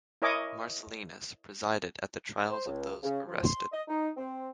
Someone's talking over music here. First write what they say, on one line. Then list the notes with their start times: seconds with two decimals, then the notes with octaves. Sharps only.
Marcellinus presided at the trials of those arrested.
0.22 E4 A#4 C#5 D#5 G#5 D6
2.50 C5
2.66 C#2
3.03 C#3
3.27 F3
3.44 C6
3.72 D#5
3.88 D#4
4.17 C4